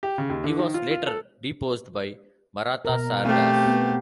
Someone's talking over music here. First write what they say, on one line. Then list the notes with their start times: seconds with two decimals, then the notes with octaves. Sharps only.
He was later deposed by Maratha Sardars.
0.03 G4
0.18 C#3
0.29 D#2
0.44 D3
0.59 D#3
0.74 F4
0.91 F4
1.07 A4
2.85 B2 A#4
3.25 A3 C4 G4 F5
3.66 B3